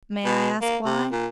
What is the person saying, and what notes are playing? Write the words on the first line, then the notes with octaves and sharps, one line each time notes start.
"May I ask why?"
B2
A#3
C3
A#2